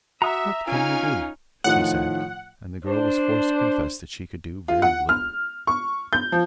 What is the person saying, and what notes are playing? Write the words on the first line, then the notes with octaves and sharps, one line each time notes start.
'What can you do?' she said; and the girl was forced to confess that she could do very little.
F#4 E5 A#5 D#6 E6
C#4 D#4 F4 G#5 F6
A2 D#3 F3 F#5
D4 C5
F4
F#5
F6
C#6
G6
F3